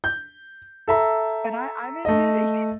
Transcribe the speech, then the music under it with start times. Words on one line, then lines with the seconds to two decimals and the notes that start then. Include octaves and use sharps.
But I I'm admitting it
0.04 G6
0.88 A4 E5 A#5
2.05 A3 D#5